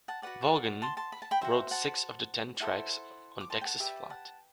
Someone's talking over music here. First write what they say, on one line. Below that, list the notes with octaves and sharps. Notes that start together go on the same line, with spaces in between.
Vaughan wrote six of the ten tracks on "Texas Flood".
F#5 A5
F#4 B4 D5 F#5
A5 C6
A5 C6
B5
A5
G5 B5
F#4 C5 E5 G5
F#5 A5
E4 A4 C5 F#5 A5
D6
A5 C6
G5
F#5 A5
G4 B4 D5 E5 G5
F#5 A5